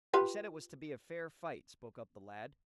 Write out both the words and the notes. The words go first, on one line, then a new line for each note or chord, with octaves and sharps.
"You said it was to be a fair fight," spoke up the lad.
F4 G4 B4